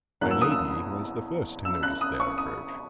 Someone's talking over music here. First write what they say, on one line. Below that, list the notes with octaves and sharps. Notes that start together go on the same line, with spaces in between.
My Lady was the first to notice their approach.
E2 B2 F#3 A#3 F#6
E6
D#6
E6
E6
F#6
D#6
C#6
D#6